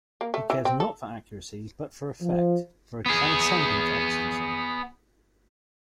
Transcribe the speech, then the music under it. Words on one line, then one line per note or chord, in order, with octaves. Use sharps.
He cares not for accuracy but for effect, for a transcendent ecstasy.
A#3
A3
E3
C4
A4
F3
B3 G#4